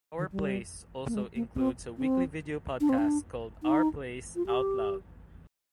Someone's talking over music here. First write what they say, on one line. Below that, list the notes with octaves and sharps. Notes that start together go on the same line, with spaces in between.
Our Place also includes a weekly video podcast called Our Place Out Loud.
D#3
G3
A#3
G#3
A#3
C4
C4
D4
C4
D4
D#4
F4
G4